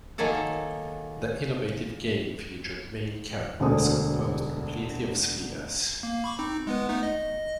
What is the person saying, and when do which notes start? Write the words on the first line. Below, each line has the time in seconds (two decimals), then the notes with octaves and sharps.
The innovative game featured main characters composed completely of spheres.
0.18 D#3 F#3 A#3 G#4 A4
3.60 E1 D2 D3 F#4 C5 D#6
6.03 A#3
6.24 B5 C#6 D6
6.39 C4 D#4
6.67 G#3 B3 B4
6.89 A3 B3 D#4
7.03 D#5